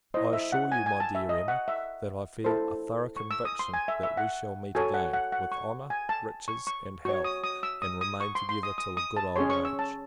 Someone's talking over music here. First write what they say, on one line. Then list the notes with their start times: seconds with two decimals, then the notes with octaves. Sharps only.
I assure you, my dear Emma, that I feel a thorough conviction, that we shall meet again, with honour, riches, and health, and remain together till a good old age.
0.14 E4 C5 D#5
0.33 E5
0.52 F#5
0.72 G#5
0.86 G#5
1.00 A5
1.15 E5
1.29 D#5
1.48 F#5
1.68 E5
2.44 E4 A4 C5
3.17 C#6
3.31 E6
3.45 D#6
3.59 C6
3.74 G#5
3.88 E5
4.03 E5
4.17 F#5
4.75 F#4 A4 C#5 G#5
4.94 F#5
5.14 F#5
5.32 F#5
5.52 C#6
5.90 G#5
6.09 A5
6.48 C#6
6.67 C#6
7.05 F#4 C#6
7.09 C#5
7.24 D#6
7.44 D#6
7.63 E6
7.82 D#6
8.01 D#6
8.20 C#6
8.35 C6
8.49 C6
8.63 D#6
8.78 D#6
8.97 D#6
9.17 A5
9.36 C#4 G#4 C#5 C6
9.50 C#6
9.65 E6
9.79 A5